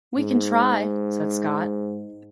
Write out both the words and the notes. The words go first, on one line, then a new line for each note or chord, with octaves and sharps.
"We can try," said Scott.
G#2